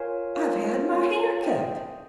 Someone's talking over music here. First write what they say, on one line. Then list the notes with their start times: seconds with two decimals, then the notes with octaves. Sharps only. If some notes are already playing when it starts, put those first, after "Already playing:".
I've had my hair cut.
Already playing: F4 A#4 C#5 F5 G#5
0.35 F4 A#4 C#5 F5 G#5
0.89 F4 A#4 C#5 F5 G#5
1.43 G#4 C5 G5